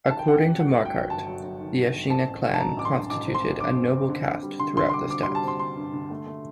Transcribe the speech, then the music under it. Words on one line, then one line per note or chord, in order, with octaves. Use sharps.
According to Marquart, the Ashina clan constituted a noble caste throughout the steppes.
D#3 A5
G5
F#2 F#5
G5
F#3
F#3 F#5
F#3
G5
F#3
G1 A5
F#3
F#3
D#3
F#3
G1
C4 A5
A1
G2
A5
F#3 A#5
A1 D6
C6
G2
A1 D6
C4
C6
F#3
G2 D6
C4
C4
D3
D3
G3
D3 C6
D3 C6
C6
G3 D6
C4 D6
C6
G3
A5
C4 C6
D3 C6
G2
D3
A3
A3